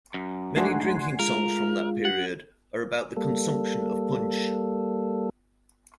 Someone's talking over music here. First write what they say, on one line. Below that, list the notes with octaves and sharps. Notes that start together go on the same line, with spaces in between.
Many drinking songs from that period are about the consumption of punsch.
F#2
G#2 A3 D4 F#4 F#5 G#5 C6
G#3 F4 A#4
F#5
G3 A#3 A4